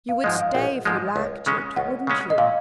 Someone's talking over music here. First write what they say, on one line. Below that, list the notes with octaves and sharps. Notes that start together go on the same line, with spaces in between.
"You would stay if you liked it, wouldn't you?"
F5
G#2 F3 G#3 D#5
F5
A#1 F#5
G#2 F3 G#3
C#2
C#3 G#3 C#4
C#2 F#5
C#3 G#3 C#4
D#5
A#2 F5